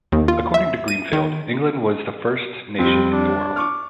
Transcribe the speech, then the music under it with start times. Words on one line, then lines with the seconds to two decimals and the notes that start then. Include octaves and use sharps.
According to Greenfeld, England was "the first nation in the world".
0.12 D#2
0.28 F4
0.54 E5
0.88 D#7
1.13 D#3
2.79 F2 G3 C4
3.11 D4
3.56 C#6 D6 F6